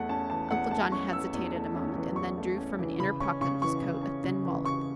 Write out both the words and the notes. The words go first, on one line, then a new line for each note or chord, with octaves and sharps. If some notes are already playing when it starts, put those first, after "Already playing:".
Uncle John hesitated a moment, and then drew from an inner pocket of his coat a thin wallet.
Already playing: E2 A3 F#5
C#4 A5
E3 A5
E2 F#5
A3 A5
C#4 C#6
E3 E6
E2
A3
C#4
E3
E2 C#6
A3
C#4
E3
C#3 B5
C#4 C#6
C#3 C#6
E3 C#6
C#3
C#4
C#3
E3
C#3 C#6